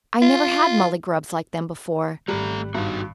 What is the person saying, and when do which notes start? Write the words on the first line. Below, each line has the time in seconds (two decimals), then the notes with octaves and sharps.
I never had mullygrubs like them before.
0.21 F4
2.28 G#1 G3 A3 A#5 B5 F#6
2.75 G2 D#4 F#4